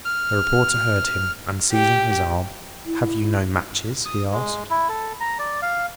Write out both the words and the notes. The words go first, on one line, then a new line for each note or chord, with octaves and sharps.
The reporter heard him and seizing his arm, "Have you no matches?" he asked.
F6
G4
E4
D#6
G#3
E4
A4
A#5
D5
F5